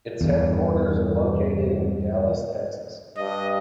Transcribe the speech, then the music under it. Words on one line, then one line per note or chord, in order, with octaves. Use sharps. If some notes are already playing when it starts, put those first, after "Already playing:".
Its headquarters are located in Dallas, Texas.
E2 G2
G2 D#5